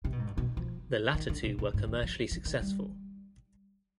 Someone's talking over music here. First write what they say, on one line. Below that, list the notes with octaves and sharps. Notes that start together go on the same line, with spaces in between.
The latter two were commercially successful.
C3
B2
G#2
G2
B2
F3
D#3
D3
C3
C3
G#2
D#3
F3
F3
D#3
G3